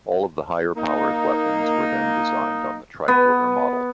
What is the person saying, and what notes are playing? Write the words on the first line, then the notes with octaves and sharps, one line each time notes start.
All of the higher-powered weapons were then designed on the tricorder model.
A#3 D#4
B3